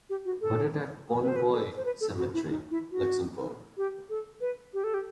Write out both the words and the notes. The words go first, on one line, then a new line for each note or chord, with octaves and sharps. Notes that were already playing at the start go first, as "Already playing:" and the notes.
Buried at Bonnevoie cemetery, Luxembourg.
G4
F#4
A4
B4
C5
B4
A4
C5
B4
A4
F#4
E4
D#4
E4
F#4
G4
A4
B4
G4
A4
G4